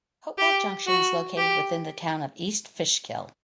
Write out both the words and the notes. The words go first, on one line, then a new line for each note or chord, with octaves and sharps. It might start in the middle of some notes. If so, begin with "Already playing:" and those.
Hopewell Junction is located within the town of East Fishkill.
G4
F#4
G4